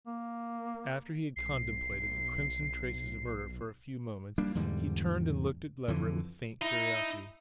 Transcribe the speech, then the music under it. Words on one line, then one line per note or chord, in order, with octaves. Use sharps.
After he had contemplated the crimson traces of murder for a few moments, he turned and looked at Leverett with faint curiosity.
A#3
B1 C7
G3 A#3 D4
E2 G#2 D3 G3
F2 D3 E3
D#4 E4